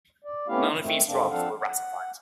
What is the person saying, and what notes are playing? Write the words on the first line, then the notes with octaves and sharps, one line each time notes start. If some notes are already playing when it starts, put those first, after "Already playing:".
None of these drafts were ratified.
D5
A3 B3 C#4 E4 G4 F5
D#3 A3 C4
D#2 G#2 D3 A#3 C4 D4
F3 C4 D4 A4 F5 F#5
F#5